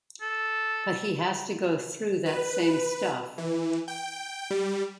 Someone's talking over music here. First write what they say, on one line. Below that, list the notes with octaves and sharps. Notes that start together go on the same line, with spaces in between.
But he has to go through that same stuff.
A4
B4
E3
G5
G3